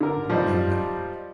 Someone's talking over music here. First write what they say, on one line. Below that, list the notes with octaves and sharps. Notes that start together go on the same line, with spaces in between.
"No, no."
D3 A#4
F3 G3 D#4